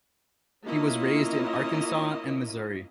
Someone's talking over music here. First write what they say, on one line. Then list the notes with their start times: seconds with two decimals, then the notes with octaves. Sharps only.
He was raised in Arkansas and Missouri.
0.65 A#3 C#4 E4 F4 C#5 D#5